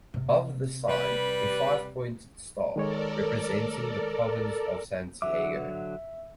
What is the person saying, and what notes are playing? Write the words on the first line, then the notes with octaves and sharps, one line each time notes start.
Above this sign, a five pointed star, representing the Province of Santiago.
C3
G3 B4
D#3 G#3 A4 A#4 C#5 D5
D3 F#3 E5 D6